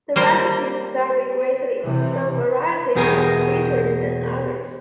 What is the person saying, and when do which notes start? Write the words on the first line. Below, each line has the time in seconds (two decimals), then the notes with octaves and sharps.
The recipes vary greatly; some varieties are sweeter than others.
0.16 G3 A#3 C5
1.84 C3 E3
2.95 E2 B2 G4 G#4 A#4 G#5